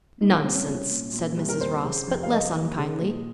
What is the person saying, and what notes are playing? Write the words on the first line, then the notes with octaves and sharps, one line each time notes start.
"Nonsense!" said Mrs. Ross, but less unkindly.
A#2 D#4
C#4
C2 C4
C#4
C2
A#2
A#2
C2
A#4
D#2 C5
C#3
F1
F5
F1 D#5
D#2
C#3
A#2